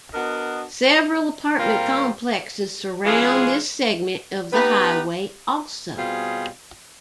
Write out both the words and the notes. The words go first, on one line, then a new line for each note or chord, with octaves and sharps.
Several apartment complexes surround this segment of the highway also.
B3 D4 F#4 A#4 D#5
A#2 G3 C4 F4 A#4
E3 G#3 C#4 F4 G#4
B3 D#4 G4 B4
B2 G3 C4 F4 G#4